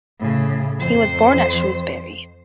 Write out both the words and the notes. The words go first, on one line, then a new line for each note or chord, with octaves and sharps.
He was born at Shrewsbury.
A2 C#3
F2 C5